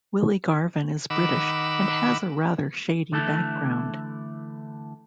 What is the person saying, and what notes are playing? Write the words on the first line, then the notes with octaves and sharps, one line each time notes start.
Willie Garvin is British and has a rather shady background.
D#3 F#5 B5 D6 E6
D3 E3 A3 E4 A4